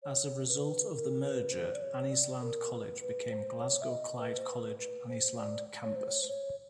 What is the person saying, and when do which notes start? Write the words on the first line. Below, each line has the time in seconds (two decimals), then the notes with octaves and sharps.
As a result of the merger, Anniesland College became Glasgow Clyde College Anniesland Campus.
0.03 C#5
0.48 B4
0.93 A#4
1.22 B4
1.52 C5
1.74 D5
1.82 C#5
2.11 D5
2.42 A#4
2.71 B4
3.01 B4
3.30 C5
3.60 C#5
3.81 E5
3.90 D#5
4.19 B4
4.38 C5
4.49 B4
4.78 B4
5.08 C5
5.38 D5
5.83 C#5
5.95 C5
6.07 C#5
6.22 C5
6.28 C#5